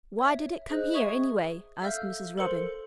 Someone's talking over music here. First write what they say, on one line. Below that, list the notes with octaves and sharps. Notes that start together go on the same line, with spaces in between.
"Why did it come here, any way?" asked Mrs. Robin.
C#5 E5
G#4 C5 D#5 F#6
E5 C#6 D#6 G#6
A4 E5 F5 E6 F6 G6
A4 A#4 C5 C6 C#7 F#7